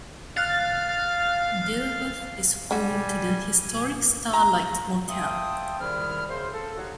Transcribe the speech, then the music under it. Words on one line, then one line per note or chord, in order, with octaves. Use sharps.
Dilworth is home to the historic Star Lite Motel.
F5 F6 F#6 A6
D3 G3 F#4 G#5
A#5
E5 F5 G5 A5 C6 D#6
G#2 C3 D#3 G3 E4 F6
F#2 C#3 C5
A4
D#4 F#4 G4 C#5 F5 F#5